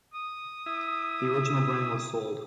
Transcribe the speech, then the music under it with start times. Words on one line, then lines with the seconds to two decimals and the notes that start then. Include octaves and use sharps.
The original brand was sold.
0.14 D#6
0.66 E4 E5